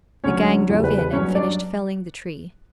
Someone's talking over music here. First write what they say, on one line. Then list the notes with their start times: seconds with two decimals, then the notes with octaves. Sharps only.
The gang drove in and finished felling the tree.
0.24 D2 D3 F#3 C#4 C#5
0.69 E2 C#3 E3 G3
0.84 B4
0.98 B4
1.13 G2 C#4 C#5
1.16 F#3
1.35 D4 D5